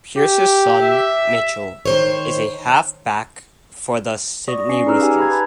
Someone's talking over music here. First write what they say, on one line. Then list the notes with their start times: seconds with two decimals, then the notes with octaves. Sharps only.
Pearce's son, Mitchell is a half-back for the Sydney Roosters.
0.17 G4
0.82 E5
1.86 D#3 C5 C#5
4.48 D5 C#6 D#6 A#6
4.69 C#4 D5 C7 C#7
4.86 D#4 G#4 B4 A#5 E6 F6
4.99 G4 F5 G#5
5.17 A#5 B5 G#6
5.30 B4 A5 B5